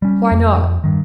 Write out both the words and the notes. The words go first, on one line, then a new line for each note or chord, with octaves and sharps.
"Why not?"
G3 C#4
F2
G2 D#3